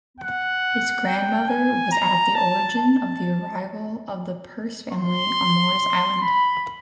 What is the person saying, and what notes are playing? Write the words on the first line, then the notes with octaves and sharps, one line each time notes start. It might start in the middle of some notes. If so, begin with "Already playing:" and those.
His grandmother was at the origin of the arrival of the Pearce family on Morris Island.
F#5
G5
G#5
A#5
A5
A5
C6
B5